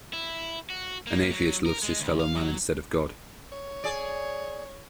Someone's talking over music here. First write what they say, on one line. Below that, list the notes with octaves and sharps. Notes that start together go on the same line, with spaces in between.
An atheist loves his fellow man instead of god.
E4
F#4
A#3
F#3
A#4
G#3
D2
F5
F#3
C#5
G#4 D5